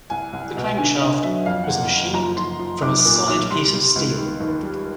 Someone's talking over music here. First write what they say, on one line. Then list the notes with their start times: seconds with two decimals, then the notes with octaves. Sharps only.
The crankshaft was machined from a solid piece of steel.
0.10 C2 G#5
0.33 C2
0.56 B2
0.78 D3 G#5
1.00 D3 D#5
1.14 D#5
1.23 F#3 E5
1.46 F2 F5
1.64 F#1 F#5
1.92 F#1
2.14 F3 A#5
2.37 F3 C6
2.59 F3
2.82 B1 D6
2.99 D6
3.05 A#2
3.16 D6
3.28 B1 D6
3.50 G3 C6
3.73 G3
3.96 C#2
4.17 D#3
4.40 D#2
4.63 G3